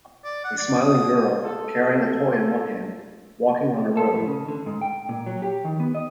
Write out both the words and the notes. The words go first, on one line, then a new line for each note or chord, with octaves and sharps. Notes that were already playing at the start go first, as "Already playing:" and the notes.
A smiling girl, carrying a toy in one hand, walking on a road.
D5
F#5
D5
D#6
F4 A4
A4
A2
C#3
D3
G#2
G5
A#2
F#3
G4
D#3
B3
D#5